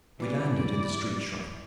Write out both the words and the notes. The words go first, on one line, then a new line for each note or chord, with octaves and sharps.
We landed in the street-shrine.
E3 G3 C#4 E4 D5